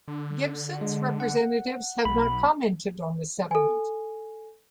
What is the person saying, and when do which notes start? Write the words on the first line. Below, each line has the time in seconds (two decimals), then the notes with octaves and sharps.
Gibson's representatives have not commented on the settlement.
0.08 D3
0.81 G#3
1.20 F#5
2.05 B1 B5
3.51 A4 G#5